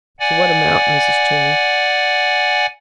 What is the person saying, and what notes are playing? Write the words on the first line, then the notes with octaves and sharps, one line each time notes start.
"To what amount, Mrs. Toomey?"
D5 F#5 G#5